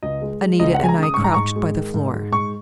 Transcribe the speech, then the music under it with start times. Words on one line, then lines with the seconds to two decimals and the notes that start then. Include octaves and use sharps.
Anita and I crouched by the floor.
0.03 C#2 D#5
0.22 G#3
0.41 G#3
0.60 C#2 D#5
0.74 F#5
0.79 G#3 G#5
0.89 A#5
0.98 C#3 D#6
1.14 G#2 C#6
1.24 A#5
1.34 G#2 C#6
1.56 G#3
1.75 D#3
1.94 G#2
2.13 G#3
2.32 G#2 C#6